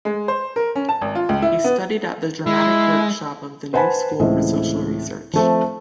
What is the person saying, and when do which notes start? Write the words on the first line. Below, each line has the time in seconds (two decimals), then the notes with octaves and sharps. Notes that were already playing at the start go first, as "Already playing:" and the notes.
He studied at the Dramatic Workshop of the New School for Social Research.
0.05 G#3
0.28 C5
0.56 A#4
0.76 C#4
0.89 A5
1.02 G#1
1.15 F4
1.29 C#2
1.42 E4
1.64 B3
2.46 G#3 E4
3.73 B4 C5 F#5 G#5 A5 B5
4.20 C#2 A2 E3 C4 D#5
5.33 F3 A3 C4